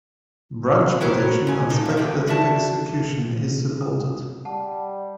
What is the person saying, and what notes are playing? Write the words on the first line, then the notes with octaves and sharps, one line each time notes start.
Branch prediction and speculative execution is supported.
E4 F#4 G4 A#4 C5 C#5
G#3 G#5
A#3 D#4 G4 A4
F3 E5
G#2 B2 D#3 G4
F#4 D5 E5 A5
D#6
G3 F#5 A5